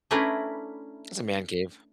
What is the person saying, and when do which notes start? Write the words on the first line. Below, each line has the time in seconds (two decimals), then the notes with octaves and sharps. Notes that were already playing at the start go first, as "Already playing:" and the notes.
It's a man cave.
0.11 A3 C#4 D4 E4 A#4 B4